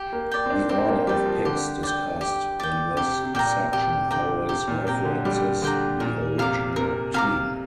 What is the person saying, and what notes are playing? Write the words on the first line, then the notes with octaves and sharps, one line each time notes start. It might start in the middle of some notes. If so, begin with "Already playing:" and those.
The order of picks discussed in this section always references the original team.
Already playing: G4
A#3
D5 G5
C4
D4
C4 G4
A#3
G3 D5 G5
F3
D3 G4
D5 G5
G4
D5 G5
D3
C3 G4
C3
A#2 D5 G5 A#5
A#2
C3 G4
D3 D5 G5 A#5
C3 G4
A#2
C3 D5 G5 A#5
D3
G3 G4
D3 D5 G5 A#5
A#2 A#4
C3 F5 A#5 D6
C3 A#4
C3 F5 A#5 D6